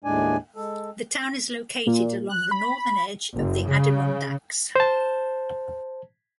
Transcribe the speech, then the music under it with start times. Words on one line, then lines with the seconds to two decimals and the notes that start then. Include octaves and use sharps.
The town is located along the northern edge of the Adirondacks.
0.04 D#2 A2 G#3 D4 D5 G#5
0.56 G#3 A4
1.87 A#2
2.29 F#6
2.51 B5
3.36 F#1
3.67 C#3
4.76 C5 A5